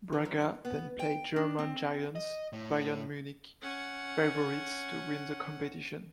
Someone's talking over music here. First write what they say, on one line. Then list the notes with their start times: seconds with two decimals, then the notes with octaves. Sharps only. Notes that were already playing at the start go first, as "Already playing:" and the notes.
Braga then played German giants Bayern Munich, favourites to win the competition.
0.13 E3
0.25 F#2
0.65 B3
0.99 G5
1.36 D4
1.59 C4
2.15 D#5
2.53 A2
3.62 C#4 F#5